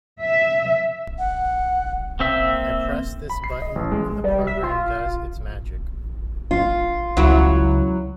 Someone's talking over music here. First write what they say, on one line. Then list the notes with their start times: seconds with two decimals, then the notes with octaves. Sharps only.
I press this button and the program does its magic.
0.21 E5
1.19 F#5
2.20 A#3 C4 E5
3.30 B5
3.44 C7
3.62 D#5
3.75 A1
3.92 G#3
4.24 G3
4.47 E5
4.63 F4
6.51 F4
7.17 C#2 F#3 E4